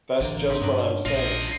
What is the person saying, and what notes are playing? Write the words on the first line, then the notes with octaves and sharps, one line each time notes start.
That's just what I'm saying.
A1 D3 A#3
C3 D#4
G2 F#3 C#4 D4
A#1 F4 D#5